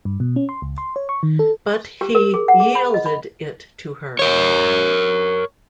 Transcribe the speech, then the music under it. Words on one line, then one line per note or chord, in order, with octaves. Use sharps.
But he yielded it to her.
G2
B2
C#4
C6
C#2
C6
C#5
C#6
D#3
A4
G4
A#4
G#4
F#5
G#4
B5
D#5
B5
A#4 C#5